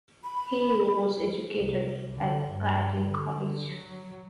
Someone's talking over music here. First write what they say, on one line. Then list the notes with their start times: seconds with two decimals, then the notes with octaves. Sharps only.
He was educated at Radley College.
0.24 B5
1.56 C2
2.14 D3
2.50 G2
3.06 D3
3.72 F#3